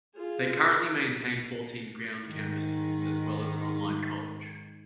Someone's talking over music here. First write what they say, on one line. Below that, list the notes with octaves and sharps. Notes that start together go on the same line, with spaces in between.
They currently maintain fourteen ground campuses as well as an online college.
F4 G#4
A#4
G#2 D#3